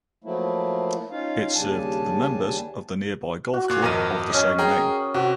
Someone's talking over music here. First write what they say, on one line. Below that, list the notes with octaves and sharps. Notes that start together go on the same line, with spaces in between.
It served the members of the nearby golf club of the same name.
F3 F#3 A3 A#3 E4
C#4 D#4 F4 F5
D#2 C#3 G3 D4 G#5 A5
F#4
A#2 F#6
G#1 F2 A#4 D#5 A#5 D#7
C#4 D#5
G#4 G5 A#5
C3 F#4